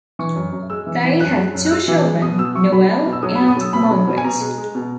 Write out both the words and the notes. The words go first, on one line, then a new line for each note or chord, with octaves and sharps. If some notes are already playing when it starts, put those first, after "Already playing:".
They had two children, Noel and Margaret.
E3 C#6
F#2
F#2
G#3 E6
E3
E3
F#2 F#6
G#3
F#2
F#6
G#3 E6
E3
G#3
B2 D#6
B2 E6
B2 C#6
F#3 B5
F#3
B2
E6
F#3 D#6
B5
B2
D#6
F#3 E6
B2 B5
F#3
B2
G#5
B2 A#5
G#3
G#3
B2